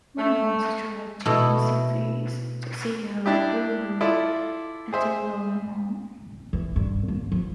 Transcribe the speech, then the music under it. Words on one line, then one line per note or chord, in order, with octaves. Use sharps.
Mona wants to travel to Mississippi to see her girlhood antebellum home.
A3
B2 A3 E4
D4 E4 G4
E4 F4 A4 D5
G#4 C5 E5
E3
G2
A#3
F3